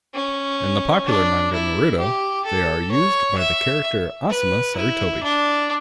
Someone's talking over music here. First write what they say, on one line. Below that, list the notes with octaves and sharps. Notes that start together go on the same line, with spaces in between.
In the popular manga Naruto, they are used by the character Asuma Sarutobi.
C#4
D4
E4
G4
A4
C#5
E5
B4
E4
D4